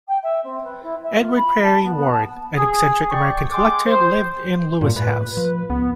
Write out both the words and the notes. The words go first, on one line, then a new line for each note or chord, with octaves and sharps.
Edward Perry Warren, an eccentric American collector, lived in Lewes House.
G5
E5
C4
B4
E4
E5
F4
B5
A5
B3
B3
A5
G#4
D5 G5 C#6
G#3 G#4 G5 C6 D6
C5
G2 A#2
A2 B4
F3
C#2 B3